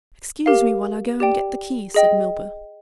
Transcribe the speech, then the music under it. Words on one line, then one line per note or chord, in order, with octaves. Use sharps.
"Excuse me while I go and get the key," said Milburgh.
G4 A#4 F5
G4 D5 G5
G#4 D#5 G5